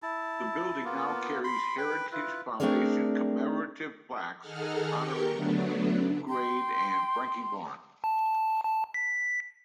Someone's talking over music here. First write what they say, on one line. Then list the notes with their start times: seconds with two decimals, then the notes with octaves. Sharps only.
The building now carries Heritage Foundation commemorative plaques honouring Lew Grade and Frankie Vaughan.
0.03 E4 A5
0.85 A#3 B3 F4
1.44 B5 C6
1.78 B4 G5 B5
2.12 E4 F4 B4
2.60 A3 C4 D4 G#4 A#4 D5
4.39 D#3 D#4 G#4 A4 F#5 F6
4.91 G4 A#4 G5 C#6
5.29 D3 F#3 A3 B3 D4
6.30 G5 C6
8.04 A5
8.64 A5
8.94 B6